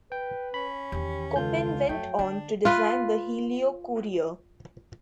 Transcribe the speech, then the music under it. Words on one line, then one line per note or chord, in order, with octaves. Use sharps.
Koppen went on to design the Helio Courier.
B4 G5
C#4 B5
E2 D#3 G4
C#2 F4 A4 G6
F2 F#3 A3 G5
D3 D4
F4 B4